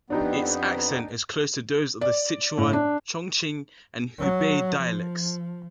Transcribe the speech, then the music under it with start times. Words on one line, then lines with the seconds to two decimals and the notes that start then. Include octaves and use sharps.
Its accent is close to those of the Sichuan, Chongqing, and Hubei dialects.
0.10 F2 B3 D4 D#4 G4
2.01 D5
2.58 A2
2.73 D4
4.19 F#3
4.81 F3